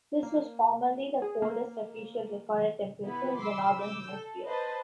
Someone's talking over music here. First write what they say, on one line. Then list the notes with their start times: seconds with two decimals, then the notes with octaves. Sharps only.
This was formerly the coldest officially recorded temperature in the Northern Hemisphere.
0.23 A#3
1.22 G#4
1.42 A#3
3.04 B3 E4 B4
3.39 B5 C6 D6 E6
3.79 D6 E6 G6
4.12 A4
4.45 B4 C5 D#5 A5